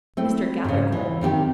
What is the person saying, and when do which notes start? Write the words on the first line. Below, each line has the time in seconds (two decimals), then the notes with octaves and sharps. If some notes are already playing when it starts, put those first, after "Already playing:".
"Mr. Gathercole!"
0.17 A3 C4 E4
0.64 G#2 C#3
0.92 E3
1.21 C3 D#3 F4 G4